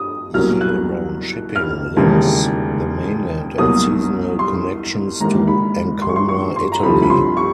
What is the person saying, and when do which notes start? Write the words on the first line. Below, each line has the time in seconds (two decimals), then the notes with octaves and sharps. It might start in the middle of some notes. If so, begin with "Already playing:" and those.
Year-round shipping links the mainland and seasonal connections to Ancona, Italy.
Already playing: D#6
0.34 C2 B2 F#3 A#3 C#4 F6
0.61 F#6
1.55 F6
1.97 E1 D#2 C#3 E3 G3
3.58 C2 B2 F#3 A#3 D#6
4.39 C6
5.20 G#1 G#2 E3 G3 A#3 A#5
5.48 B5
6.02 C6
6.09 C#6
6.16 C6
6.29 C#6
6.56 C6
6.72 A#5
6.83 C2 C3 F3 A3 B5
7.03 B5
7.10 C6
7.37 C#6